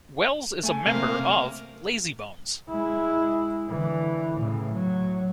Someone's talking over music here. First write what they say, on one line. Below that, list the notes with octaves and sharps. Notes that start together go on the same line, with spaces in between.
Wells is a member of Lazybones.
A3 G#5
C3 A#3 F5
G#3 E4
D3 E3
A2 C#3
F#3